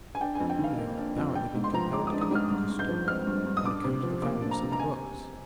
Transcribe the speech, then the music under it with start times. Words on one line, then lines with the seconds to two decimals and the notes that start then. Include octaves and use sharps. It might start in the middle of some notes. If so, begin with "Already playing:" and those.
They have apparently been compelled to give up the custom and account of the foulness of the brooks.
0.15 G#5
0.21 D4 G5
0.35 G#5
0.40 F2
0.50 G5
0.59 D#3
0.64 F5
0.78 A#3
0.97 D4
1.17 F2
1.35 D4 G5
1.55 G#2
1.64 C6
1.74 F3 A#5
1.93 G#3 D6
2.07 D4 D#6
2.21 D#6
2.31 G#2 F6
2.50 G2
2.70 G2
2.79 G6
2.89 F3
3.08 C4 F6
3.27 G2
3.45 G2
3.57 D#6
3.65 D4 D6
3.84 C3
4.03 F3
4.22 A#3 D6
4.41 D4
4.51 A#5
4.61 C3
4.72 A#5
4.79 G#5